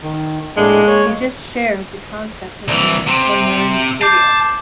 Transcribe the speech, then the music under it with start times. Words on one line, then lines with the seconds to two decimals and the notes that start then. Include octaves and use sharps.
He just shared the concept with me when we were in the studio.
0.03 D#3
0.57 A2 G#3 A#3 D4
0.87 A#3 C#5
2.68 C2 E3
3.07 C3 C4
4.01 A5 D6 G6 C7